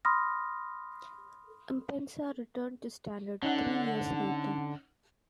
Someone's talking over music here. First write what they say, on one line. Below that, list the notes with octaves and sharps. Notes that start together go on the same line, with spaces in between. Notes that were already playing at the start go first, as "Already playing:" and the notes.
Mpenza returned to Standard three years later.
B5 C6 D#6 F6 A#6
D3 C#4 D#4 F#5